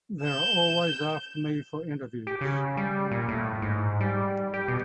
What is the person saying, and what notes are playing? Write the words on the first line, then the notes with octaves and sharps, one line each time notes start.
They're always after me for interviews.
G6 E7
G4
C#3
G3
A#2
A2
G#2
G3
G4
B2